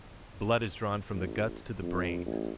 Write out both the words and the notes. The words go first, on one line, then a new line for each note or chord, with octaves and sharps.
Blood is drawn from the guts to the brain.
A1
F2
A1